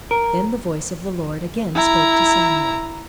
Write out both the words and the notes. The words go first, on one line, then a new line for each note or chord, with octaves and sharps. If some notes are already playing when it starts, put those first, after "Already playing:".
Then the voice of the Lord again spoke to Samuel.
A#4
E4 A#5